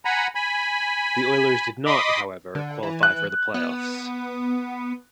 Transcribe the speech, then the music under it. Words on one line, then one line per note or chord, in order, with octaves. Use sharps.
The Oilers did not, however, qualify for the playoffs.
F#5 G#5 A#5 B5
G#5 B5
D#5 B5 C6 D6 D#6
D3
E3
F#6
B3